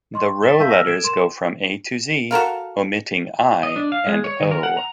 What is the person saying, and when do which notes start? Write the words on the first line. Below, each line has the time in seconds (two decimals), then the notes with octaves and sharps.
The row letters go from A to Z, omitting I and O.
0.14 D#5 C6 C#6
0.42 A6 B6 C7 E7 G7
0.59 E5 F5 A5 E6 G6 B6
0.70 E6 F6 A#6
0.87 A4 G#6 D7 E7
1.03 A#4 C6 E7
2.31 F#4 A4 A#4 F5
3.63 D#5
3.76 D4
3.92 F5
4.06 G#3
4.24 C#5
4.40 D#3
4.51 A#4
4.63 F#5
4.77 A#5